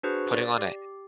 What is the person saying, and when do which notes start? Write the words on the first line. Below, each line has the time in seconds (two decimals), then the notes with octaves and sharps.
putting on a
0.03 D4 F#4 G#4 B4 C5
0.33 D5
0.57 G4